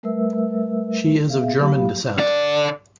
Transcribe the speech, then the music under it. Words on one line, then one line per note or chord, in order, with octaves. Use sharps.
She is of German descent.
G3 A3 A#4 B4 E5 E6
B3 G#4 E5 F5
F#3 A#3 G4 F5 B5
D3 D5